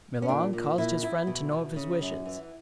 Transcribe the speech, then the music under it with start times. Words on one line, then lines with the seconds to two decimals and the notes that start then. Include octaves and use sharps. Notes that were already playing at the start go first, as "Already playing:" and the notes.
Milon caused his friend to know of his wishes.
0.22 C#4
0.28 A#2 D4
0.53 A#2
0.78 A#2 E4
1.02 E2 E4
1.27 B2
1.51 B2
1.76 C#3
2.01 F#2
2.26 E3